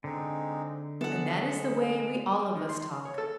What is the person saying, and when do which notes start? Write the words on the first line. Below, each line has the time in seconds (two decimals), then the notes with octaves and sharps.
And that is the way we all of us talk.
0.04 D3 G#3 C4 D#4
1.01 E3 F#3 G#3 B3 A4 F#5
2.55 D#3
2.69 C6
3.05 C#5
3.18 A4